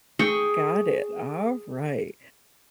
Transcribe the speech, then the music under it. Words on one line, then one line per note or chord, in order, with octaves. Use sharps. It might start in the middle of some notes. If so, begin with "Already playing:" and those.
got it, all right.
G#4 G5 C#6